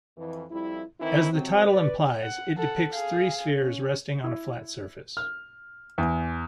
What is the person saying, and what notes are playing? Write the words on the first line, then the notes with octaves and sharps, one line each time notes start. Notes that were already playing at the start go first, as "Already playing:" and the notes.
As the title implies, it depicts three spheres resting on a flat surface.
F2 E3
F2 G3 E4
D#3 E3 C4 E4
C3 F#3 C4
B4 D5
F#5
A4 F#5
G#4 F5
C#4
E4
F6
E2